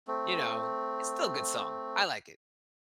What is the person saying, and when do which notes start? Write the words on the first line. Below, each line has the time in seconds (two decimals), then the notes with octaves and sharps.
you know, it's still a good song. I like it.
0.08 A3 C4